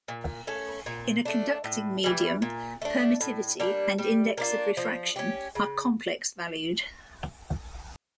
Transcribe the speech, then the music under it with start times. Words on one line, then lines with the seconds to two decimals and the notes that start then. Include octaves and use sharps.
In a conducting medium, permittivity and index of refraction are complex-valued.
0.08 A#2
0.47 A3 C#4
0.86 A#2
1.25 A3 D4
1.64 A2
2.04 E3 G3
2.42 A#2
2.82 A3 D4
3.21 A2
3.60 G3 A#3 D4
3.99 G3
4.38 A#3 D4 F4
4.77 F3
5.16 C#4 G4
5.55 C#3